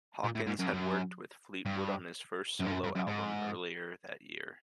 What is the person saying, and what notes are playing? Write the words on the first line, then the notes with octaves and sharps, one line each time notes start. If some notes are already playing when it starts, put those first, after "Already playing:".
Hawkins had worked with Fleetwood on his first solo album earlier that year.
A#2
A2
G#2
F#2
F2
F#2
G2
F#2
G2
F#2
G2
F#2
G#2